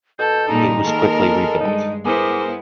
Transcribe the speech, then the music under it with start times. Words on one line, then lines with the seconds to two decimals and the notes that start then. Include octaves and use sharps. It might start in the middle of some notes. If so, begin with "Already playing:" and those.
It was quickly rebuilt.
0.19 B2 A4 G6
0.48 A#2 G3 G#3 D#4 A#5
0.82 D#3 A#3 A4 A#4
1.61 G2 G#3 D#4
2.05 B3 E4 G#4 A#4 C5 D6